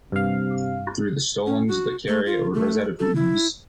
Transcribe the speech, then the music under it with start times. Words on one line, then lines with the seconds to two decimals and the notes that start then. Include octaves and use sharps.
Through the stolons that carry a rosette of leaves.
0.12 G2 C3 F5
1.46 C#4
1.68 F#4
2.08 A3
2.26 F4
2.54 A3
2.99 A4
3.16 E4